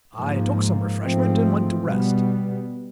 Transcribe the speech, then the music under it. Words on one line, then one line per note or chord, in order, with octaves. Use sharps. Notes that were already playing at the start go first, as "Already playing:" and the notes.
I took some refreshment, and went to rest.
G#2 F3 A#3
G#2 F3 A3 C4
B2 G3 B3